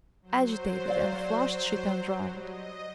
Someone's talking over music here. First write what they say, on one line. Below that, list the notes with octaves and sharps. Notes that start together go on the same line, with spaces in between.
Agitated and flushed she turned round.
F#3 C5
D5 F5
F#3
G3 D#5